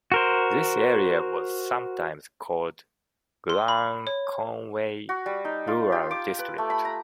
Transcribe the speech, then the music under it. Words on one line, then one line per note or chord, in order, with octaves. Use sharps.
This area was sometimes called Glan Conway Rural District.
F#4 A#4 C5
C6
B5
C#5
F#4
G3
D#4
F4
G4
D6
B4
A3
B5
A#5